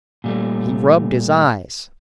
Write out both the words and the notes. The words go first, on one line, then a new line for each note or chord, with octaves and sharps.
He rubbed his eyes.
A#2 G3 A3